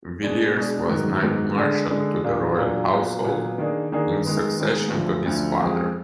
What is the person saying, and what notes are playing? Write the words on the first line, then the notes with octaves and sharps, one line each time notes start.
Villiers was Knight Marshal to the royal household in succession to his father.
B2 G#3 D4
B2 G#3 D4
G#2 D#3 F#3 B3
G#2 D#3 F#3 B3
D3 G#3 D4
D3 G#3 D4
A#2 F#3 D4
A#2 F#3 D4
A#2 F#3 B3
A#2 F#3 B3
D#3 A#3 D4 G#4
D#3 A#3 D4 G#4
D#3 G#3 B3
D#3 G#3 B3
D2 D3 F3
D2 D3 F3
F2 F3 G#3